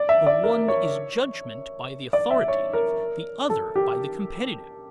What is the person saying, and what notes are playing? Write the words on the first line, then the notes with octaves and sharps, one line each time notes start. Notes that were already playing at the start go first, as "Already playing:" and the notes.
The one is judgment by the authoritative, the other by the competitive, method.
Already playing: D5
E5
D5
A#4
C#5
D5
E5
C#5
A#4
A4
G4